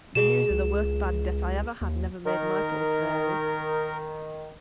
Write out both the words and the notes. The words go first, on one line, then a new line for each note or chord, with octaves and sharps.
The news of the worst bad debt I ever had, never made my pulse vary.
B2 G#4 E7
C#2
D#2
D#3 A#4